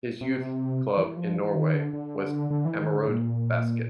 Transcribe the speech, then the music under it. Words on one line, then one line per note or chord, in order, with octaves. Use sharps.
His youth club in Norway was Ammerud Basket.
C3
E3
F3
E3
D#3
D3
D3
D3
E3
D#3
D3
A#2